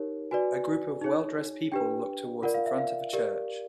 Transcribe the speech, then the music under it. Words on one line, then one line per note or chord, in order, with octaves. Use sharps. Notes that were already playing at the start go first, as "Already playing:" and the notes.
A group of well dressed people look towards the front of a church.
Already playing: D#4 G4 A#4 C#5
F#4 B4 D5 G#5
D#4 G#4 C#5
D4 G4 B4 G5
F4 A#4 D5 F#5
F5
E5
F5
G4 A#4 D5